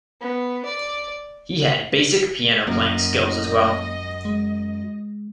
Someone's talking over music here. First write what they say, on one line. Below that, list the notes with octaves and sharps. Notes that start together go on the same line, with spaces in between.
He had basic piano playing skills as well.
B3
D5
F#2 A#3 D#5
G#3